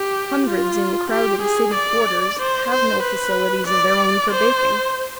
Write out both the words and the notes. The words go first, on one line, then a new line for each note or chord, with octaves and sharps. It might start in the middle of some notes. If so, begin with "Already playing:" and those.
Hundreds in crowded city quarters have no facilities of their own for baking.
Already playing: G4
F4
G4
G#4
D5
C5
C5
B4
D5
C5